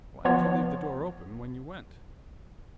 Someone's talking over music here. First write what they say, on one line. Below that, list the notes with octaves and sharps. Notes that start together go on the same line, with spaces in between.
'Why did you leave the door open when you went?'
F3 B3 F4 C#5